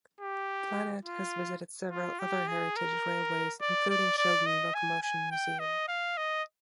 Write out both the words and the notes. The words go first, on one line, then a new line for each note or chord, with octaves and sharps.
"Planet" has visited several other Heritage railways including Shildon Locomotion Museum.
G4
F4
F4
G4
G#4
A#4
D5
D5
D5
D#5
G#5
G#5
G5
D#5
F5
D#5